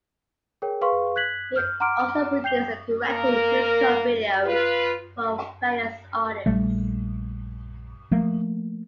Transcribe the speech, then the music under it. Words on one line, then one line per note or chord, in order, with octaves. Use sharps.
He also produced and directed musical videos for various artists.
G#4 A#4 C#5 G5
G#4 B4 F5 C6 C#6
F#6 G#6 B6 F#7
F6 G6
F#5 A#5 C6 D6 F6 D7
G5 G6 C7 F7 G7
A#3 A#4
F4 B4
A#1 G3 A3
F3 A3 A#3